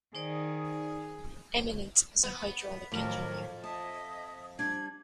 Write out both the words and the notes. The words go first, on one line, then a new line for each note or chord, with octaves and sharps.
Eminent as a hydraulic engineer.
D#3 D#4 G#4 C5 D5
B3
F2 A2 D#3 F#3 A#4
D#5 E5 A5 D#6
G3 D4 G#6